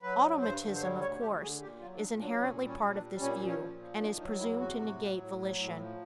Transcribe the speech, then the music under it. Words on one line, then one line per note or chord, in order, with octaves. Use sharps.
Automaticism, of course, is inherently part of this view, and is presumed to negate volition.
F#3 B4
G2
G2 C5
D3
C5
G3 C#5
D2 C#5
D2 G4
D3 G#4
A#2 G4
F#3 F4
D4
A#2 D#4
F#3 D4
A#2 C#4
G3
C#4
A#2
D4
G3
A#2 C#4
F3
C#4
A#2
F3
D#3 D4
F#3 D#4
E2 E4
C3 F#4
A2
F#3
A2
F#3
A2
F3